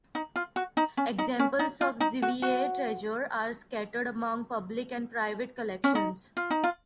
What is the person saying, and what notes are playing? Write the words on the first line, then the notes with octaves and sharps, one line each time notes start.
Examples of the "Ziwiye Treasure" are scattered among public and private collections.
D#4
F4
F#4
D#4
C#4
D#4
C#4
D#4
F4
D#4
F#4
F#4
C#4
D#4
F4
D#4
F4